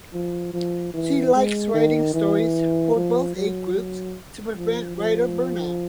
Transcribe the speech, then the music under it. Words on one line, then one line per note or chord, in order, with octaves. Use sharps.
She likes writing stories for both age groups to prevent writer burnout.
F3
F3
E3
G#3
D#3
E3
F3
F#3
F#3
F3
F3